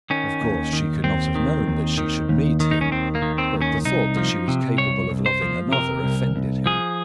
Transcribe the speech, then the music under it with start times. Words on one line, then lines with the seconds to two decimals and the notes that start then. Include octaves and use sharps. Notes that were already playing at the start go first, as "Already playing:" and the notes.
Of course, she could not have known that she should meet him, but the thought that she was capable of loving another offended him.
0.10 D#3 C#4
0.41 D#2
0.73 D#3
1.04 D#2 C4
1.35 D#3
1.67 D#2
1.98 D#3
2.29 D#2
2.60 D#3
2.71 D#4
2.81 C#4
2.91 D#2 C4
3.15 A#3
3.22 D#3
3.38 C4
3.54 D#2
3.61 C#4
3.85 C2 D#4
4.17 F3
4.48 C3
4.78 C2 C#5
5.10 C2
5.26 C5
5.42 F3
5.72 C3 A#4
6.04 C2
6.36 C2
6.66 F3 G#4